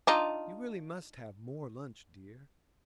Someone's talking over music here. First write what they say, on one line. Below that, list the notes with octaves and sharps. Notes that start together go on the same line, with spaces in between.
'You really must have more lunch, dear.
D4 D#4 F4